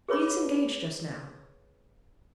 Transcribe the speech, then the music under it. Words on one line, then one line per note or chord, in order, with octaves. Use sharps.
He is engaged just now.
G#4 B4 C#5 B5 D6